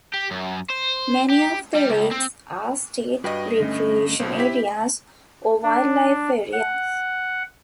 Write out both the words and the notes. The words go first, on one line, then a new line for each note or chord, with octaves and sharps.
Many of the lakes are state recreation areas or wildlife areas.
G4
F#2
C5
G4
G3
C#2
C4
G2 F#4 B4 D#5 G5
D3 A3 C#4
B1 B2 C5
E4 G4 B6
D4
F#5